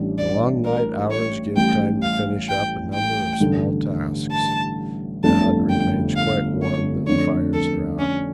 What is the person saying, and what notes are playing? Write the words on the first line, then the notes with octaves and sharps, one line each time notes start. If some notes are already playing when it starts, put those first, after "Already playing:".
The long night hours give time to finish up a number of small tasks--the hut remains quite warm though the fires are out.
Already playing: A1 A2 G3 D4
D5
A#4
C#5
A1 A2 G3 G5
F5
G5
G5
A1 G2 D3 A3
A5
G1 F2 D3 A3 D4 A5
G5
F5
C#5
F2 D3 A3 D4 C#5
A4
C#4